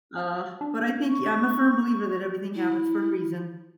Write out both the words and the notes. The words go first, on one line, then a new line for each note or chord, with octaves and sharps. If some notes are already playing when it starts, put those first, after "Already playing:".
Aw, but I think y I'm a firm believer that everything happens for a reason.
D4
C#6
E4